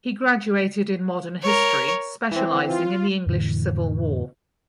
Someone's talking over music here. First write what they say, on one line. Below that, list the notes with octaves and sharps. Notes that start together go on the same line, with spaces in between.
He graduated in modern history specialising in the English civil war.
A#4 C#5
E3 C4
F4
F2 A2 D3 E3